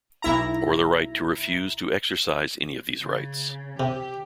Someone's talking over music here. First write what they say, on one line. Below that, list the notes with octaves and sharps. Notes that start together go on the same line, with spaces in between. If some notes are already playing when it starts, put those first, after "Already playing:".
Or the right to refuse to exercise any of these rights.
B1 E4 A#5
C#3
C3 G4